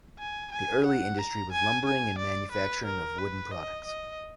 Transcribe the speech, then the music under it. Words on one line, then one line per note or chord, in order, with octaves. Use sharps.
The early industry was lumbering and manufacturing of wooden products.
G#5
G#5
F#5
A#5
G#5
G#5
D5
B4
A#4
B4
D#5
D#5